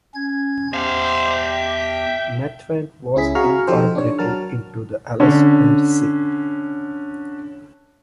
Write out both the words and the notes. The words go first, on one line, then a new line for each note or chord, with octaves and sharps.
Methven was incorporated into the Ellesmere seat.
C#4 G#6
E2 G4 C5 E5 F5 A5
G5
C#2 C#4 E4 G#4 B6
F#4 G#4 F5 A#5 C#6 F6
F3 D#4 G4 A4 C5
D4 C#5
F#3 F#4 A#4 A5 F6
D3 C#4